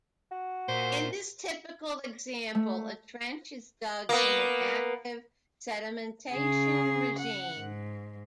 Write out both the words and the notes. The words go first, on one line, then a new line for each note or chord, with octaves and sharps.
In this typical example, a trench is dug in an active sedimentation regime.
F#4
A#2 C5
A3
A#3 B3
C#3 G#4
F#5
G#2